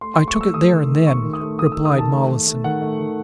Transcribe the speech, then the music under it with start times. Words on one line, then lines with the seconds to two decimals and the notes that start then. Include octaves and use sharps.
"I took it there and then," replied Mollison.
0.01 A3 C6
0.14 A3 C6
0.28 C#6
0.37 A3 E6
0.54 A3 D#6
0.72 D#3
0.89 D#3
1.07 A3 C#6
1.24 D#3
1.33 D#6
1.41 A3
1.59 A3 D#6
1.72 D#3 E6
1.85 D#6
1.94 D#3 A5
2.12 A3
2.29 D#3
2.47 A3
2.64 D#3 F#5
2.82 A3
2.99 D#3